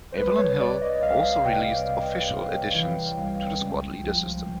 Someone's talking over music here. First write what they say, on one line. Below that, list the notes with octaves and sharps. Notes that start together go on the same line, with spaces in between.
Avalon Hill also released "official" additions to the Squad Leader system.
C5
C2 B4
C#5
C2 D5
D#5
C2 F5
C3 G5
C3
C3
E3
C2
C#2
F3